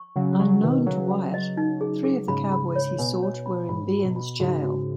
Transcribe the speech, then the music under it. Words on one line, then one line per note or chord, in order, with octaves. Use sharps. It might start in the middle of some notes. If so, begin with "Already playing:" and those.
Unknown to Wyatt, three of the Cowboys he sought were in Behan's jail.
Already playing: C#6
C#3 F#3 F#5
C#3 F#3 C#6
B2 D#3 B4
C#3 F#3 G#4
F#5
D#5
D#4
G#4
G#4
G#2 C#3 B5
B5
C#5
B2 G#5
C#5
B5
G#2 B5
F#4
B2
B5
G#2 C#3 F#4
F#4